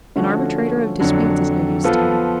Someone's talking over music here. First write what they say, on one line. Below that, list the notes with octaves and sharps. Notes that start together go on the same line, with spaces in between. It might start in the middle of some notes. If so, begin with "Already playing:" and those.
An arbitrator of disputes is no use to me.
D3 F3 A3 C#4 F#4
F2 D3 F#3
F3 B3 F4 A4